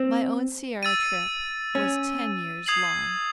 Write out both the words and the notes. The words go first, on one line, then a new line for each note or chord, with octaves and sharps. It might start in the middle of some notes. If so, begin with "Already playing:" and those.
My own Sierra trip was ten years long.
Already playing: C4
E6 A6 D#7
C#4
D#6 G#6 C7 F#7